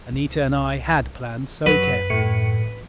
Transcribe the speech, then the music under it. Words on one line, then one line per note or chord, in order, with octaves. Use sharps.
Anita and I had planned so carefully.
C2
F#2 F#3 B4
A2 C#7